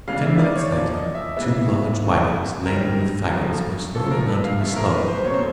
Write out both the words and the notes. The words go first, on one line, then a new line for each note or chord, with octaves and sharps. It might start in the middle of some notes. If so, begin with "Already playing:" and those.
Ten minutes later two large wagons laden with fagots were slowly mounting the slope.
C#3 E3 G#3 B3 D4 F5
E5
D5
C#5
A#2 F3 A#3 C#4 D5
D#5
E5
C#3 E3 G#3 B3 E5
C#3 E3 A3
D3 G3 C4 D#4 A#4
F#2 C#3 F3 A3
A2 F3 A3 A4
A#4
B4
F5
A2 F3 A3 E5
A#4
B4
B4
C5
B2 F#3 A3 C#4 C#5
C5